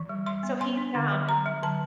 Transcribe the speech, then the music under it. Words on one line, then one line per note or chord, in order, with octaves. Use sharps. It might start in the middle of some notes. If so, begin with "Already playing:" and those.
so, he's, um
Already playing: E3
G3
G3 C6
B3
B3 C6
D4
D3
F#3
F#3 A#5
F#3
D3 A5